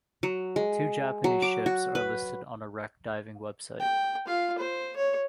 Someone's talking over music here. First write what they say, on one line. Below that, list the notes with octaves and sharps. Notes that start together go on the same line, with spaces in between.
Two Japanese ships are listed on a wreck diving website.
F#3
G#3
F#3
D6
F#4
B4
G5
F4 F5
C5
C#5